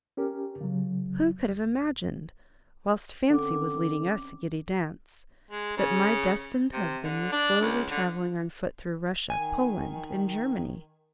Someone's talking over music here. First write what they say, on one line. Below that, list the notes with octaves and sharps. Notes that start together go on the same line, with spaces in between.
Who could have imagined, whilst fancy was leading us a giddy dance, that my destined husband was slowly traveling on foot through Russia, Poland, and Germany?
C#4 G4 A#4
C#3 F#3
D2
D3 C4 C#4 D6
G#3
C#3
C3
D3
D4
C#2
D3
D#3 G#5